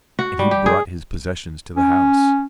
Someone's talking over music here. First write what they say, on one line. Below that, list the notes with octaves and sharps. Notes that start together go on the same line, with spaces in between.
And he brought his possessions to the house.
F#4
G3
G4
G#4
C#4